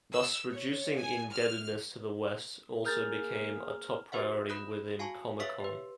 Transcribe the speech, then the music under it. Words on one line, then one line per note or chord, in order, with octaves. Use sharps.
Thus, reducing indebtedness to the West also became a top priority within Comecon.
E6
C#5
G#5
F6
A#3 G#4 A#4 A#5 F6 G6 A6 F7
F#4 G4 B4 C5 E5 F#5
B5 D#6 F#6 G6 A#6
F#4 F5 G#5 A5 C#6
B4 C#5 E5 F5 C#6 B6
G4 B4